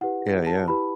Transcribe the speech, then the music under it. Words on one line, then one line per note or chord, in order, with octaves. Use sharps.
Yeah, yeah.
E4 G4 B4 F#5
A5
E4 G4 B4 B5